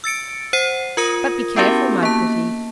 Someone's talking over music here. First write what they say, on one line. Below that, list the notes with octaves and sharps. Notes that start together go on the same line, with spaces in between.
But be careful, my pretty!
E6 A6 C#7 D7
C5 F#5 C7
F4 A#4 D#6 A#6 D#7
B3 C#4 E4 F#4 G4 A#4
A#3 A5